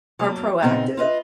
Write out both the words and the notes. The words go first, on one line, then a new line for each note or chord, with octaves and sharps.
are proactive
F#3 A#3 C#4 D4
A#2 C#3 B3 C4 D#4
F4 B4 D#5 E5